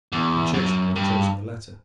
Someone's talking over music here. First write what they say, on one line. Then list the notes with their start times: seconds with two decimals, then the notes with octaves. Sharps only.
And Churchmen have chosen the latter.
0.12 E2
0.54 F#2
0.96 G2